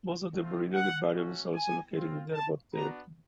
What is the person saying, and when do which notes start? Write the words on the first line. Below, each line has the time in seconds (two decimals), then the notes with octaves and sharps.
Most of the Merino herbarium is also located in the arboretum.
0.33 A3 C4 F4
0.73 F#5
1.13 A3 C#4 F#4
1.54 G#5
1.93 C4 F4
2.34 A5
2.74 B3 D4 F#4 A#5